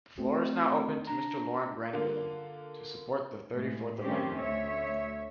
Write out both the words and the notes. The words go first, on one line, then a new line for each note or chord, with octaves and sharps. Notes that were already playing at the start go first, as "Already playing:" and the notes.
The floor is now open to Mr. Laurent Grandguillaume, to support the thirty-fourth amendment.
A3 C4 F#4
D4 A#5
D3 A#3 F4
A2 G#3
D#3 A3 C4 C#4 G4 C5
D2 C#5 E5